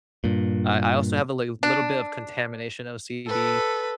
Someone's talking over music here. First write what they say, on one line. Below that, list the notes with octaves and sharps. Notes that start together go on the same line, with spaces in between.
I I also have a li little bit of contamination OCD,
G2 A#2
D4
A4 B4